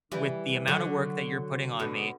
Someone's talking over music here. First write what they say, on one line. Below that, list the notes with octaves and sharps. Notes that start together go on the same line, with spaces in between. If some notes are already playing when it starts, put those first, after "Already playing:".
with the amount of work that you're putting on me,
E3 G3
D3 F#3
B2 D3